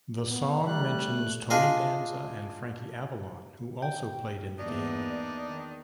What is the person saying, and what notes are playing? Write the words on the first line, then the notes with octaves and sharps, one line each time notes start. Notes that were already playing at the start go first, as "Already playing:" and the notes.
The song mentions Tony Danza and Frankie Avalon, who also played in the game.
B3
G3 A3 F#6
D4 F4 G#4 D#5
G5
E2 A#3 D4 D#4 D5
D#3